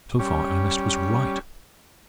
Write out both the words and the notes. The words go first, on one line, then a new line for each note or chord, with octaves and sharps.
So far Ernest was right.
G3 C#4